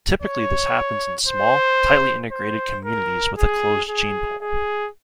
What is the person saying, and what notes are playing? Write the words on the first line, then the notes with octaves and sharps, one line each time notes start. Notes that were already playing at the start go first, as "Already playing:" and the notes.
Typically this happens in small, tightly integrated communities with a closed gene pool.
C#5
C5
C5
A#4
G#4
G#4
G#4